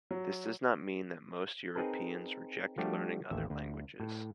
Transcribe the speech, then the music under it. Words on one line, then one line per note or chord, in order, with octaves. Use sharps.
This does not mean that most Europeans reject learning other languages.
F#3
C4 D#4 G#4 A#4 B4 A5
F3 G3 A3 D4 F#4 G4
A1 D#2 E5
D2
A2